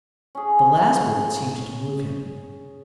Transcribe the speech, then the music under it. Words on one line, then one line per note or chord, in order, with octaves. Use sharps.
The last word seemed to move him.
C#4 G#4